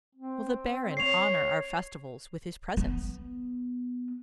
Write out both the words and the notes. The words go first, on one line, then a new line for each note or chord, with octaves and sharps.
"Will the Baron honor our festivals with his presence?"
C4
C#5 C7 F7
B3